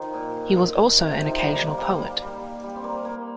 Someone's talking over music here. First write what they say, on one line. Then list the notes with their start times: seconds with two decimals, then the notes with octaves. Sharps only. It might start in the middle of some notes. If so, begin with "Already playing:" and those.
He was also an occasional poet.
Already playing: D#3 F3
0.14 A#2
0.98 C3
1.11 C3
1.21 D#3 F3
1.39 G3
1.53 A#3
1.67 A#3
1.78 G3
1.89 A#3
2.22 G3
2.64 G3
2.76 C4
2.84 A#3
3.05 A#3